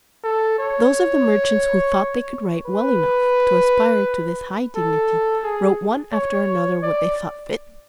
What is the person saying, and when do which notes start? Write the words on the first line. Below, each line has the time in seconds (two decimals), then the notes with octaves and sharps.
Those of the merchants who thought they could write well enough to aspire to this high dignity, wrote one after another what they thought fit.
0.24 A4
0.59 C#5
2.66 B4
4.75 A4
5.44 G#4
6.13 C#5
6.83 D5